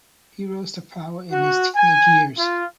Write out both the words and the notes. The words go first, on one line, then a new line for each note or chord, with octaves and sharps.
He rose to power in his teenage years.
F#4
G#5
F4